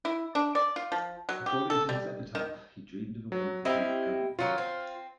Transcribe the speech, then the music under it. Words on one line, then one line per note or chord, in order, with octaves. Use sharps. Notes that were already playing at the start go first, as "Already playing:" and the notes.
According to his epitaph, he dreamed of a world without guns.
E4
D4
D5
F4
F3
F#3
G4
A4
G3
D#3
F#3
C4 E4 G4 D#5 F5
D#3 F#3 C#4 F4
C4